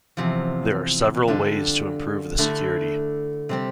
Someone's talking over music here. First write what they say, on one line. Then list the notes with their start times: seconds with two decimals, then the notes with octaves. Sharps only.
There are several ways to improve the security.
0.17 E2 C3 F3
1.28 D3 G3 D4 F4
2.38 D3 A3 E4
3.49 C3 G3 C4